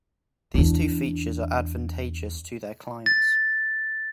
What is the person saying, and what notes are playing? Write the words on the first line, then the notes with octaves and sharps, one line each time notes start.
These two features are advantageous to their clients.
E2 D4
A6